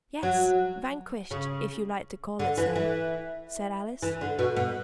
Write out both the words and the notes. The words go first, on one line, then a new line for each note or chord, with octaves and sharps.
"Yes, vanquished; if you like to call it so," said Alice.
F#3
C#3
D3
E3
E3
E3
D3
B2
B2